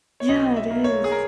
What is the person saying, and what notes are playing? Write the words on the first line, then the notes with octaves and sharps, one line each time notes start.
Yeah, it is.
C#5
B1 D#5
E5
A#3
C#5
G#4
A#4